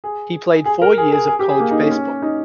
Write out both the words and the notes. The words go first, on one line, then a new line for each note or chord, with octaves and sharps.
He played four years of college baseball.
G#4
G#4
A#4
G#4
G#4
G#4
G4
G#4
A#3
D#4
C#4
C#4
D#4